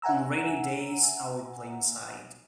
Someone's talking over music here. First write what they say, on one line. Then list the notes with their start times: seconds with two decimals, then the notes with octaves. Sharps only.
On rainy days I will play inside.
0.02 E5 F#5 G#5 A#5 E6